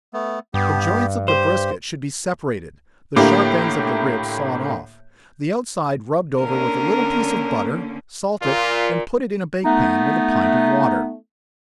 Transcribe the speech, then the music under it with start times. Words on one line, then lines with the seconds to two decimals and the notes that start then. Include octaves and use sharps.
The joints of the brisket should be separated, the sharp ends of the ribs sawed off, the outside rubbed over with a little piece of butter--salt it, and put it in a bake pan, with a pint of water.
0.14 A3 B3
0.54 G2 B3 G4
1.28 G4 C5
3.16 A2 D3 A#3 E4 G4
6.39 D3 A#3 C#4 A#4
8.42 A#2 F4
9.64 A3 B3 D#4